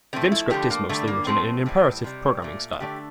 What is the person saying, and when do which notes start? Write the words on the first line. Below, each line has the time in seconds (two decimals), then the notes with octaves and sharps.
Vim script is mostly written in an imperative programming style.
0.13 D3 F3 A3 C4
0.32 E4
0.50 D3 F3 A3 G4
0.70 A#3
0.89 D3 G3 A3
1.07 A#3
1.27 A#2 F3 A3 C4
1.66 A2 E3 G3
2.04 C3 G3
2.42 A#2 A3
2.80 D3 A3 G4